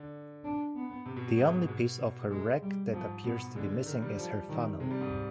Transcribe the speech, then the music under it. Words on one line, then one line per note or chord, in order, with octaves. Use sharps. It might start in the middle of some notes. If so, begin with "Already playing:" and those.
The only piece of her wreck that appears to be missing is her funnel.
Already playing: D3
D4
B3
C3
B2
B2
G#2 G#3
B2
G#3
G3
G#2 F3
B2 B3
D3 G#3
D#3
G3
F3
D#3
C3 G#3
G3
G#2